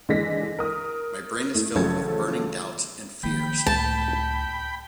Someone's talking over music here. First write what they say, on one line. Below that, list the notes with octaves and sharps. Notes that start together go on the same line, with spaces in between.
My brain is filled with burning doubts and fears.
D3 E3 G#3 D4 A#6 B6
A#4 D#6
A3 E4
A1 C#3 F3 F#3 A4 G#6
D#3 F3 A#3 G5 B5
C#2 A2 A5